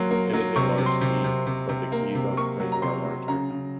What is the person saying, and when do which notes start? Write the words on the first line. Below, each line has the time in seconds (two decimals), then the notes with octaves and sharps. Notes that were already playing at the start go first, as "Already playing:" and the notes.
It is a large key, but the keys of prisons are larger.
Already playing: F#3 A#3 C6
0.10 A#3
0.33 F#3
0.56 C3 C#6
0.78 C3
0.86 C6
1.01 C3
1.24 C3
1.46 C3
1.69 C3
1.92 A#3
2.15 C3
2.37 A#3 C#6
2.60 F#3
2.72 A#5
2.82 C3 C6
3.05 F#3
3.28 C#3 A#5
3.50 C#3